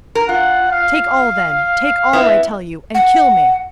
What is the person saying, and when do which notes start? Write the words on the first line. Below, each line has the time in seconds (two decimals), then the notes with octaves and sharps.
"Take all, then--take all, I tell you, and kill me!"
0.15 A#4
0.29 F4 F#5
0.72 F5
2.13 B3 E4
2.95 F#5